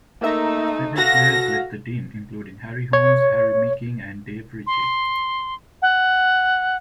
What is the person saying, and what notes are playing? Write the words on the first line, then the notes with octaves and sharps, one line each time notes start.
Several players left the team, including Harry Holmes, Harry Meeking and Dave Ritchie.
A3 A#3 D#4 E5 A#5
F#4 A4 F5 A#6
C#5
C6
F#5